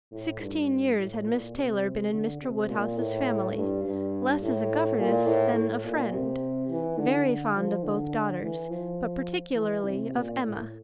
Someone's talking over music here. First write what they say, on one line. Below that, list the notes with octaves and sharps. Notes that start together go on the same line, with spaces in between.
Sixteen years had Miss Taylor been in Mr. Woodhouse's family, less as a governess than a friend, very fond of both daughters, but particularly of Emma.
A2
G2
A2
A#2
C3
D3
C3
A#2
A2
G2
G2
A2
A#2
A2
A2
A#2
C3
E3
D3
D3
F3
D3
E3
F3
E3
C3
A#2
A2